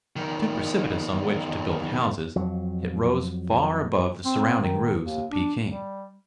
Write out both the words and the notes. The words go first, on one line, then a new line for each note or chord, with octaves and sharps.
Too precipitous on which to build houses, it rose far above the surrounding roofs of Peking.
E2 D#3
F2 F#3
C4
D#3
D#2
D4
G3